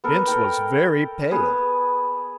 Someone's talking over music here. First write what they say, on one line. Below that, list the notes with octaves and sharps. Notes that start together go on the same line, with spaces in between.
Bince was very pale.
B3 A4 A#4
A4 A#4 G5
B3 G#4